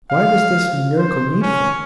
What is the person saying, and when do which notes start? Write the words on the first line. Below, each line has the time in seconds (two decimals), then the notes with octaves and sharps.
Why was this miracle needful?
0.11 F5
0.98 C5
1.42 C#4